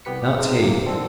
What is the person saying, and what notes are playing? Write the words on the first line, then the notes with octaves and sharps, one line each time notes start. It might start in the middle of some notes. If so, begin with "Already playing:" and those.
Not he.
C2 B3 G4 B4 B6 C#7
G4
G#2 C3 G#3
D2 A#3
D3 D#3 C4 A4